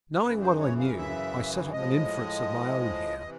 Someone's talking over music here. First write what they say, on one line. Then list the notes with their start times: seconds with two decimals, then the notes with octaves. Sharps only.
Knowing what I knew, I set up an inference of my own here.
0.22 F#2 C#3 E3 B4
0.41 C5
0.61 C#5
0.79 F5
0.98 E5
1.73 A2 F3 G#3 D#5
3.23 C3 E3